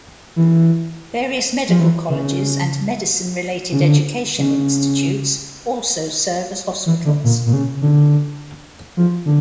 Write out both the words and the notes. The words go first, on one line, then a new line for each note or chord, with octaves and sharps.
Various medical colleges and medicine related educational institutes also serve as hospitals.
E3
F3
E3
C#3
C#3
D3
C#3
E3
D3
A#2
A#2
C#3
D3
F3
D3